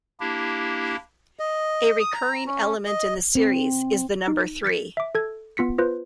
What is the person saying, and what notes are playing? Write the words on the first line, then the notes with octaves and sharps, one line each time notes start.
A recurring element in the series is the number three.
A#3 D4 E4 G4
D#5
D#6
A#5
C#4
D#5
C4
D#4
G#6 A6 B6 C#7
E5 D6
A4 G#6
B3 F4 B6 C#7
F4 B4 C5